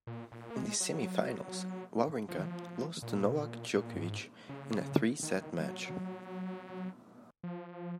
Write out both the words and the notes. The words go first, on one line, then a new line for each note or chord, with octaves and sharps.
In the semifinals, Wawrinka lost to Novak Djokovic in a three set match.
A#2
A#2
A#3
G#3
F#3
F3
D#3
F3
A#2
C3
A#2
A#2
F#2
G#2
C#3
D#3
F#3
F3